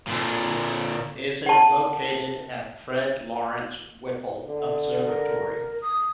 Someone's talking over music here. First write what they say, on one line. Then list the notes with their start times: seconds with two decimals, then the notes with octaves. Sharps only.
It is located at Fred Lawrence Whipple Observatory.
0.07 A#2 D3
1.46 F#5 A5
4.47 D3
5.07 A#4
5.82 D#6